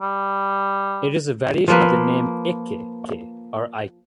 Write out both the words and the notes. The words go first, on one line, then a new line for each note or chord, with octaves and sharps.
It is a variation of the name Ekke or Eike.
G3
F3 A#3 B4